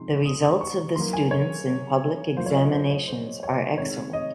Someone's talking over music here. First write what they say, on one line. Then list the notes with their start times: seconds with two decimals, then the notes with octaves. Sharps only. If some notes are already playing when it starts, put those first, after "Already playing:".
The results of the students in public examinations are excellent.
Already playing: C3 F3 G#3 D#4 C6
0.25 D#6
0.43 D#6
0.61 C#6
0.96 D#3 F#3 A#3 C6
1.13 G#5
1.31 C#5
2.37 F#3 A#3 F4 C5
2.46 C#5
2.55 D#5
2.72 C5
2.91 C#5
3.07 C5
3.43 C#5
3.78 C3 D#3 G#3 C#5
4.13 D#5